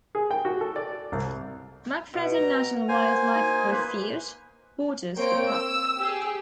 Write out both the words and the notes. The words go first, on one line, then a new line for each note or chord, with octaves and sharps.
McFaddin National Wildlife Refuge borders the park.
G#4
G5
F#4
A4
D5
C2
B2
A#5
A#3 C5 G#5
D#4
F3 A#3 B4
A#3 C4 C#5 G5 C6 D7
E6
G4 G#4